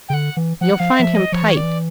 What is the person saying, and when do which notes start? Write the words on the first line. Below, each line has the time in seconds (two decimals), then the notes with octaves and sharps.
You'll find him tight.
0.08 C#3 G5
0.13 D3 F#5
0.37 E3
0.61 F3 F#5
0.79 F3 F5
0.96 F3 E5
1.14 D#5
1.32 F3 C#5
1.42 E3
1.53 D#3 D5
1.63 E3